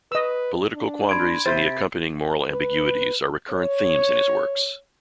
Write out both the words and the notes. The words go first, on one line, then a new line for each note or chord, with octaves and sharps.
Political quandaries and the accompanying moral ambiguities are recurrent themes in his works.
B4 D#5 E6
D4
B5 C6 G#6 D7
C3 C5 E5 A6
B4
C#5